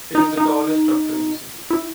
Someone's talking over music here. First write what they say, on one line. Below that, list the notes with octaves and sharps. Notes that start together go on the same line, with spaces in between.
It is the tallest structure in the city.
D#4
D#4
E4